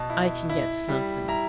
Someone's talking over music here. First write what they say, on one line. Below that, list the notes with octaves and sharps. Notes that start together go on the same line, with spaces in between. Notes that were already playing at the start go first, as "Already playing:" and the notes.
"I can get something."
Already playing: B2 A5
E4
E4
G3
E4 A#5